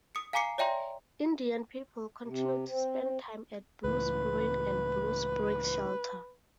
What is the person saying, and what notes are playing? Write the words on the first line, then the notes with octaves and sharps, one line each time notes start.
Indian people continue to spend time at Blue Spring and Blue Spring Shelter.
D#6 C#7
F5 G#5 A#5 D6 C7 C#7
C#5 D5 E5 G5 A#5 C6
C3
C4
C#2 A2 E3 B4